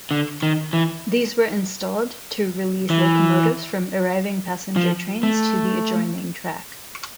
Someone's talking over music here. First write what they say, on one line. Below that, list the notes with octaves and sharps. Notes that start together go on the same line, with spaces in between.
These were installed to release locomotives from arriving passenger trains to the adjoining track.
D3
D#3
E3
E3
F3
A3